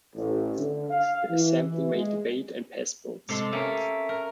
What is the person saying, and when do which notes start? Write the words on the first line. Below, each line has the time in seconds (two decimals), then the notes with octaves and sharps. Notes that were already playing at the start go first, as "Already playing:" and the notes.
The Assembly may debate and pass bills.
0.14 A1
0.58 D3
0.90 F5
1.30 E3
1.93 G#3
3.29 C3 G#3 A4 C6
3.52 A#3 C#4 A4 E5
4.09 A#4